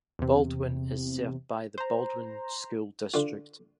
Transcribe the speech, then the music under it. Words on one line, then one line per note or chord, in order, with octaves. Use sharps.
Baldwyn is served by the Baldwyn School District.
E2 C3
C5 A#5
D3 F4